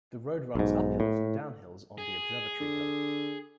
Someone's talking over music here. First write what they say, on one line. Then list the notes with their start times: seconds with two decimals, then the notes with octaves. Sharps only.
The road runs uphills and downhills on the Observatory Hill.
0.55 B1 G#2
1.00 A2
1.98 G#4
2.60 D3